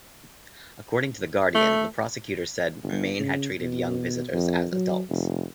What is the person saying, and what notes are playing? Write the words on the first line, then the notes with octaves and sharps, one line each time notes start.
According to "The Guardian", the prosecutor "said Mayne had treated young visitors as adults".
A3
G1
C#3
B2
F2
F#3
F1